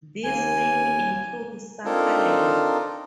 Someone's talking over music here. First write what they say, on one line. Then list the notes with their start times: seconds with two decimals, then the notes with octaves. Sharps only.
These mainly include succulents.
0.24 D#2 G#5
1.85 C4 D4 D#4 F4 A4 A#4